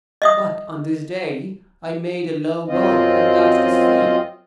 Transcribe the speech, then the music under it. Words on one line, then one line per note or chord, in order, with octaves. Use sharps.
But on this day I made a low bow, and touched his feet.
D#5 E5 D#6
F#2 C4 F4 D#5